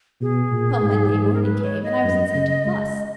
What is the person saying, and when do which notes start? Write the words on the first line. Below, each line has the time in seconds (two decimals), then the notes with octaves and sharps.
Well, Monday morning came, and I was in such a fuss!
0.21 B2 G#4
0.52 A#2
0.82 G#2
1.34 A#4
1.43 B4
1.63 C#5
1.83 D#5
2.04 F#2
2.34 C#3
2.65 G#3